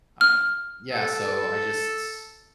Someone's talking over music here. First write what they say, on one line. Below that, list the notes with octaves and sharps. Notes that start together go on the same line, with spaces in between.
um, yeah, so I just
F6
A4